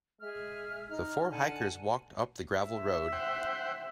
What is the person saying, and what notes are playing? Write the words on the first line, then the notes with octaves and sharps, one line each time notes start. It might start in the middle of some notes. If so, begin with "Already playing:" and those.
The four hikers walked up the gravel road.
G#3 G#4 E5 F6
D#4 A#5 F6
D3 F#5 G#5 A5
E5
C5 F#5 G5